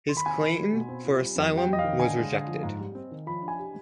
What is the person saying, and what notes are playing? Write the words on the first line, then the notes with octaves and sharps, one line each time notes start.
His claim for asylum was rejected.
D#3 C6
B5
C4 G#5
B5
D#3
G3
B2
C4
F4
G3
F2
G3
G5
F2 D#5
F5
D#3
D3 G#5
G#3
D3
F3
G#2
G3
C4
D#3
F3 B5
D4
G#5
G4